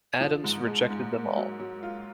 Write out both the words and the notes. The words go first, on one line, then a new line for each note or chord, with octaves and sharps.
Adams rejected them all.
F3
G#2
G#3
G#2
A#3
F#3
F#3
F4